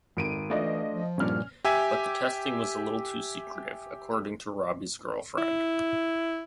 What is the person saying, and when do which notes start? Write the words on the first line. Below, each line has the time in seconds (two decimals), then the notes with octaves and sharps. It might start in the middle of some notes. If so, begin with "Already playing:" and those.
But the testing was a little too secretive, according to Robby's girlfriend.
0.17 G#1 F2 D7 D#7
0.50 E3 A3 D4 F4 D5 D#5
0.90 F3
1.18 G2 A#2 C#4 D5 F6
1.65 G4 E5 G#5
5.38 E4